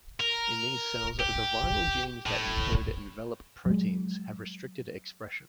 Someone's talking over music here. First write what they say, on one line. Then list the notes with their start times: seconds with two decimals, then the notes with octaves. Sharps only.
In these cells the viral genes that encode envelope proteins have restricted expression.
0.20 A#4
1.19 G4
2.26 A2
3.66 F#3 G#3